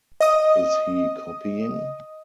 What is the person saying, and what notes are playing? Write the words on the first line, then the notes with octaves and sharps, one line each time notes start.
Is he copying?
D#5 D#6